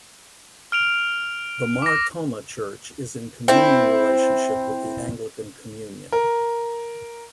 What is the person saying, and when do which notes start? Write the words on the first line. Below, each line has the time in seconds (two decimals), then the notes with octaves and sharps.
The Mar Thoma Church is in communion relationship with the Anglican Communion.
0.72 F6 D7 F7
1.82 D6 A#6
3.48 C4 E4
6.12 A#4